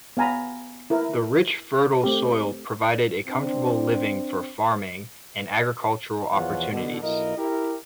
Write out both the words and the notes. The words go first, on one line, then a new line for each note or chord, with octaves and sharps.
The rich, fertile soil provided a comfortable living for farming and agricultural opportunities.
B3 F5 G#5 A#5 B5
E4 A#4 B4 E5
A3 C4 G4
C4 D4
E2 B2 F3 F4 C#5 F#5
B2 D3
B1 E4 F4 A#4 D#5
E4 G4 A#4